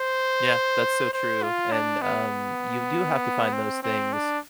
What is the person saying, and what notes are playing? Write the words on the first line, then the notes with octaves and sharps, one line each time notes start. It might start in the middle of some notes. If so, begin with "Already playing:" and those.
Yeah. That's so true, and, um, you do have to find those things
Already playing: C5
C5
F4
D4
B3
C4
C4
D4